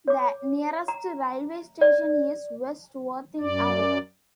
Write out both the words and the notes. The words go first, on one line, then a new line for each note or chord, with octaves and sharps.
The nearest railway station is West Worthing, away.
C#5 D6
A#5
D5
F#2 D5